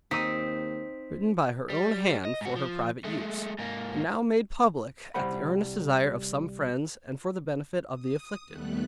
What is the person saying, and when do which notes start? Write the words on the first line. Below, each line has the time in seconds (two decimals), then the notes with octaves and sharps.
Written by her own hand for her private use, and now made public at the earnest desire of some friends, and for the benefit of the afflicted.
0.11 D#2 C4 D#4 D#6 B6
1.70 G3
2.25 D#5
2.41 G#2 F#4
2.56 F3
3.05 G#3 A3
3.59 G#2 A#3
5.14 C2 G3 C5 F#5 B5
7.92 D#6
8.47 D#2 G3 A3 B3 F#6